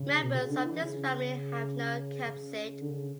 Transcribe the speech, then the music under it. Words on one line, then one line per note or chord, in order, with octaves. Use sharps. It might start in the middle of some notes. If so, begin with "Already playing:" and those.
Members of this family have no capsid.
Already playing: C#3
B2
C#3
D3
E3
C#3
C#3
D3
C#3